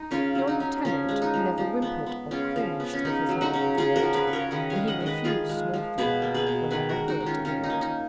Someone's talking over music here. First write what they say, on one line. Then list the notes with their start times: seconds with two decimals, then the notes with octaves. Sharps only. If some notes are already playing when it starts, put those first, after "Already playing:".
Your lieutenant never whimpered or cringed with his mangled foot and he refused morphine when I operated on it.
Already playing: D#4
0.11 C#3 C#4 F4
0.35 F#3
0.47 D#4
0.60 C#4
0.85 F3 C#4
1.09 G#3
1.22 D#4
1.34 F3
1.58 F3
1.82 B3
2.06 B3
2.31 C#3 C#4 F4
2.56 F3
2.80 B3
2.93 C#4
3.05 C#3 D#4
3.29 F#3
3.41 D#4 F#4
3.54 C#3
3.78 C#3 F4 G#4
3.96 F#4 A#4
4.03 F3
4.14 G#4 B4
4.27 C#3
4.33 A#4 C#5
4.51 D#3 B4 D#5
4.70 C#5 F5
4.75 G#3
4.88 D#5 F#5
5.00 D#3
5.06 B4 D#5
5.24 F3 F4 G#4
5.49 G#3
5.74 F3
5.98 B2 G#4 B4
6.22 A#3
6.34 G#4 B4
6.47 B2
6.71 D#3 G#4 B4
6.89 F#4 A#4
6.96 G#3
7.08 D#4 F#4
7.21 D#3
7.26 C#4 F4
7.45 D#3 C#4
7.63 D#4
7.70 A#3
7.81 D#4